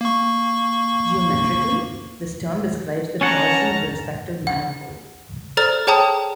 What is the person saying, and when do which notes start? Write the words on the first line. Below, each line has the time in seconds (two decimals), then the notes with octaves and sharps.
Geometrically, this term describes the torsion of the respective manifold.
0.01 A#3 C#6
3.21 C#4 C#5 F#5 A5 A#5
4.47 F#5
5.57 A4 C5 D5 A#5 F6 A6
5.87 G#4 C#5 G5 A5 A#5 D#6